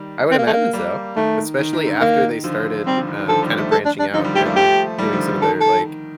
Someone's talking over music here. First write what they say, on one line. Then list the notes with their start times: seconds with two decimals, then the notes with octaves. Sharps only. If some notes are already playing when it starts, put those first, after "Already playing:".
I would imagine so. Especially after they started, um, kinda branching out and doing some of their, like,
Already playing: D#3 G3
0.31 C4
0.38 A#3
0.47 A3
0.53 A#3
0.73 G3 A#3
1.16 D#3 A3
1.58 D#3
1.73 D#3
1.87 D3
2.01 D#3 A#3
2.44 D3 F3
2.86 D#3 G3 C4
2.96 D3 F3
3.07 D#3
3.19 D#3
3.29 D3 F3 A4
3.42 D#3 G3
3.57 F3 A3
3.72 A4
3.85 D4
3.99 D4
4.14 D3 F3 D#4
4.24 D#3 G3
4.35 F3 A3 G4
4.45 G3 A#3
4.56 F3 A3 G4
4.98 D#3 G3
5.13 D3 F3
5.28 D#3
5.42 D#3 A4
5.61 A4